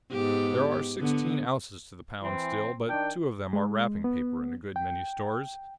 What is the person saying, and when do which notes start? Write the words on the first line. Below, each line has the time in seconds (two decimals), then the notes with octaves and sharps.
There are sixteen ounces to the pound still, but two of them are wrapping paper in a good many stores.
0.12 G#2 B3 G4
0.98 D3 B3
2.24 E3 C4
2.89 D#3 D4 G5
3.53 G#3
4.04 B3
4.76 G5